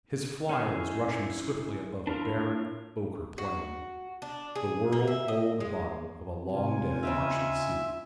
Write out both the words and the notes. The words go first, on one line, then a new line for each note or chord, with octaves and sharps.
His flier was rushing swiftly above a barren, ochre plain--the world-old bottom of a long-dead Martian sea.
C#4 D#4 E4 G#4 F6
D4 E4 F4 A#4
F#4
D4
G#4
A#3
E5
D#5
G#3
C3 F4 G#5
C#3 C4 D#4 E5